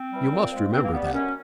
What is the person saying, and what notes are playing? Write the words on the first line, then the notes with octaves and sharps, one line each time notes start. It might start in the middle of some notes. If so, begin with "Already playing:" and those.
You must remember that.
Already playing: C4
E3 G3
A#2
F3 G#3
B2 C4
A#3
G3 B3
B3
F#2 C#4